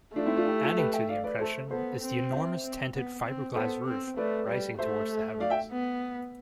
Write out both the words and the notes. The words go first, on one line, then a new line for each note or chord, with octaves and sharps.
Adding to the impression is the enormous tented fiberglass roof rising towards the heavens.
A3 D4 F4
C4 E4
D4 F4
E4 G4
F4 A4
G4 B4
E5 G5
D5 F5
B4 D5
A3 A4 C5
B3 A4 C5
C4
C5 E5
C4
B3
C4
B3 A4 C5
C4
A3 B4 D5
G3
A3 C5 E5
D5 F5
E5 G5
B3